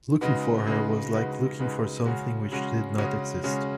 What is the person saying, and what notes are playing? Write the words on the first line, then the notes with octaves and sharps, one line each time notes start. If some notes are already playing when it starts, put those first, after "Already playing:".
Looking for her was like looking for something which did not exist.
C#3 G#3 D#4 F#4 B4
C#3 G#3 D#4 F#4 B4
C#3 G#3 D#4 F#4 B4
C#3 G#3 D#4 F#4 B4
C#3 G#3 C#4 F#4
C#3 G#3 C#4 F#4
C#3 G#3 C#4 F#4
C#3 G#3 C#4 F#4